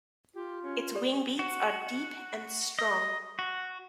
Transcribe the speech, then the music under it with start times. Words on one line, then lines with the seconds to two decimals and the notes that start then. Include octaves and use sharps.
Its wing beats are deep and strong.
0.34 F4 G4
0.63 C#4
0.95 G4 A4 D5
1.39 F#4
2.79 D#5
3.39 F#4